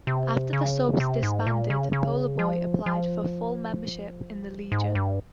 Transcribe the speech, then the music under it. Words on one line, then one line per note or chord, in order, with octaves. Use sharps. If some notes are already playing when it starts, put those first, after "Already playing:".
After the Subs disbanded Polar Boy applied for full membership in the Legion.
C3
C#3
C3
G#2
A#2
C#3
C#3
F3
F3
G#2
G2